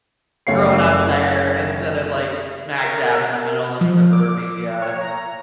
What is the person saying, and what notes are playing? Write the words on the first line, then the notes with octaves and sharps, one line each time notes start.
grown up there instead of like smack dab in the middle of suburbia
F#1 A3 C#5 F5 C7
A#4
F3
D6
C#5
A#5